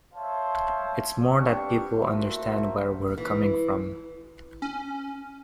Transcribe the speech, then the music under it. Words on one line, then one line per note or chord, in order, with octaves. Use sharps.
It's more that people understand where we're coming from.
C5 C#5 E5 F5 A5
G3 B3 C4 D4 G4 C#6
A3 A#3 E4 F#4 C5 E5
E3
C#4